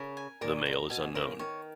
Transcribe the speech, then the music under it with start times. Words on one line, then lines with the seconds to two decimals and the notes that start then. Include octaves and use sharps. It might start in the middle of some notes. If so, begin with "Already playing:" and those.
The male is unknown.
Already playing: C#3 A#4
0.17 G#5
0.41 A#2 A#4
0.66 A#5
0.90 B2 G#5
1.15 C#3 A#4
1.39 D#3 C#5